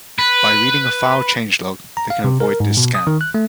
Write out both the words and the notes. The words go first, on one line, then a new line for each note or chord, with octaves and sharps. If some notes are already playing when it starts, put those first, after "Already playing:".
By reading a file change log, they can avoid this scan.
B4
A#5
F5
C3
A#4
G#2
B2
D#6
D#3
F#6
A3